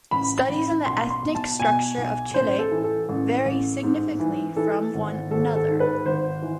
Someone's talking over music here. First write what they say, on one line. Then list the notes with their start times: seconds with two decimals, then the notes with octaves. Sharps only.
Studies on the ethnic structure of Chile vary significantly from one another.
0.11 A1 B5
0.49 A1
0.86 B1 C6
1.10 C6
1.23 B2
1.35 A5
1.60 B2 G#5
1.97 B1
2.34 A1 C5
2.59 A4
2.71 E3
2.84 A4
3.09 A1
3.45 A1
3.83 G#2
4.20 E3
4.57 E3 A4
4.94 G#1
5.31 G#1 A4
5.56 A4
5.68 G#2
5.80 B4
6.05 G#1 C5
6.42 E3